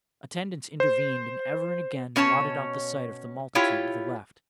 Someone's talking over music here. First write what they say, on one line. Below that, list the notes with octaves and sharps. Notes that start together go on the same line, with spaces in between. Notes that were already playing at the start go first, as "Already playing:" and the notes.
Attendants intervened, and ever and again blotted out the sight of the multitude to the left.
C5
B2 C#4 C#5 A5
E4 F4 G4 C#5